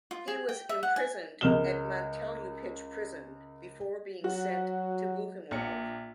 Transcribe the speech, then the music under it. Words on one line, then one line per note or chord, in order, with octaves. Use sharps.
He was imprisoned at Montelupich Prison before being sent to Buchenwald.
F4
G#4
G5
E5
F#5
G#5
C#2 A#4 F6 E7 G7
F#3 F#4
A#1 C#7